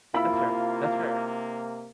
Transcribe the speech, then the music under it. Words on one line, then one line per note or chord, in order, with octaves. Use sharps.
That's fair that's fair,
C3 A#3 E4 F4 B5